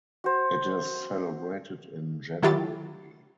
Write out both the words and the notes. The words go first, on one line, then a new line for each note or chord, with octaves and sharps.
It is celebrated in January.
F#4 C5
D#3 F#3 E4 F4 G4 A6